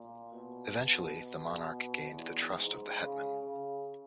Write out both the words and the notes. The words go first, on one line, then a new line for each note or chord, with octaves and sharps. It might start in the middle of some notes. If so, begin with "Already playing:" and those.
Eventually the monarch gained the trust of the Hetman.
Already playing: A#2
B2
B2
B2
E2
G#2
C#3
C#3